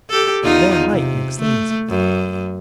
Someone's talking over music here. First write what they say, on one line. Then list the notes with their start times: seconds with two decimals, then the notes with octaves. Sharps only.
Their height makes them easy.
0.10 G4 A4
0.43 E2 D#4 F4
0.89 C3
1.41 A3
1.89 F#2